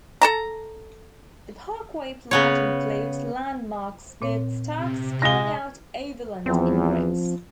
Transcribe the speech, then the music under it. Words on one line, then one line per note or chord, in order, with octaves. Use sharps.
The Parkway plant included landmark smokestacks spelling out "Overland" in bricks.
A4 A5 A#5
C#3 B3 C#5
A#2 C4 C#5
C3
G#3 A#6 G7
E2 F3 C4